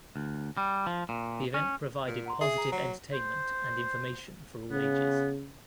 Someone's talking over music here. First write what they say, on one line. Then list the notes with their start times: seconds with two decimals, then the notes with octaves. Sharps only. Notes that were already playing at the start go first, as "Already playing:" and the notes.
The event provided positive entertainment and information for all ages.
0.16 D2
0.57 G3
0.87 F3
1.09 A#2
1.54 C#4
2.07 A#2
2.26 F#5 A#5 C6
2.41 G#4 E5
2.58 A#5
2.72 F#3 A#5 C7
3.13 C5
4.71 C#3 B3